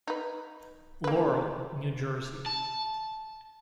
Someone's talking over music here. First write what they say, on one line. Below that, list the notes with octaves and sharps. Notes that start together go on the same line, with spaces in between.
Laurel, New Jersey.
D#4 B4
A#3 B4
A5